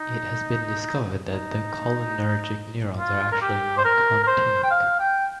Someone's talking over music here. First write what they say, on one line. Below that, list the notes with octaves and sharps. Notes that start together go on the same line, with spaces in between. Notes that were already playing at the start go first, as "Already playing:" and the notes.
It has been discovered that the cholinergic neurons are actually nicotinic.
Already playing: D#4
D#4
F4
A#4
G4
C5
A#4
A#4
C5
G5
F5
G5